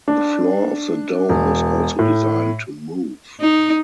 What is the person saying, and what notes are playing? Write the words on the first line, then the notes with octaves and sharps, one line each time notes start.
The floor of the dome was also designed to move.
D4
E1
A2
D#4